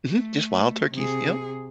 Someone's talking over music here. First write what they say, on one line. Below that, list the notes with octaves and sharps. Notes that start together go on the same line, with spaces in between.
Mhm, just wild turkeys, yep.
A3
C3 G#4